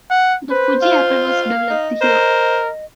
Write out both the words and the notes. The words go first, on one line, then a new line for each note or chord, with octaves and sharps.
The Fuji apple was developed here.
F#5
B4 C5
F4 F5
D#4 D#5
A#4 C5